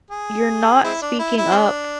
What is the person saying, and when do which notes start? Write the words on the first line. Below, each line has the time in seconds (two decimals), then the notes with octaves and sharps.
you're not speaking up
0.11 G#4
0.84 G#3 C4 E4
1.02 D4
1.19 E4
1.38 E4
1.51 C4
1.56 D4